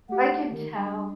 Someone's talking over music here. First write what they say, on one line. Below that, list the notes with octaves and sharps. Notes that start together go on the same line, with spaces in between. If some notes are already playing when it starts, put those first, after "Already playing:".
I can tell.
A3 G4 F#5
D#3
G3 D4